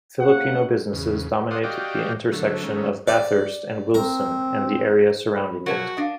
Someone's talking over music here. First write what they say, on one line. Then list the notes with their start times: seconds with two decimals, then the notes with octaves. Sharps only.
Filipino businesses dominate the intersection of Bathurst and Wilson and the area surrounding it.
0.20 C#3 A#3 F#5
0.93 E2 C#3
1.51 D5 F5 F#5 C6 D#6
1.64 F#4 G4 D5 D#5 F5 G5
2.32 D3 F#3 A3
2.64 D#3 G#3 A3 C#4
3.07 D5
3.94 C4 A#4
5.36 B5
5.66 B2 F3 F#3 F#4 A#4 A5
5.97 D4 D#5 F5 D#6